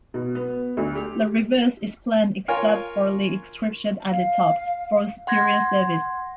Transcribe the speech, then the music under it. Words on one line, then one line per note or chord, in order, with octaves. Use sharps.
The reverse is plain except for the inscription at the top, "For Superior Service".
B2
B3
D2
G4
F4 A#4 C#5 G#5
F5
F#5 C6 G#6 A#6